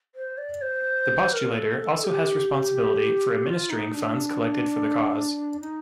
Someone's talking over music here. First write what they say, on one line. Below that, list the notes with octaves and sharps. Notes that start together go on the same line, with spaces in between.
The postulator also has responsibility for administering funds collected for the cause.
C5
D5
C5
A#4
A4
A4
G4
F4
D#4
D4
D#4